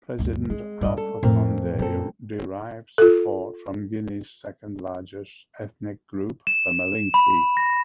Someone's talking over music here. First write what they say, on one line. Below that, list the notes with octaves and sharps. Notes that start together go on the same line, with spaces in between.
President Alpha Conde derives support from Guinea's second-largest ethnic group, the Malinke.
D2 G2
G#3 C4
G2 G#3 C#4 D5 D#5
A4
F2 A2 C4 A#4
F#2 A#2 C4 A4
F4 A4
E7
B5
A#6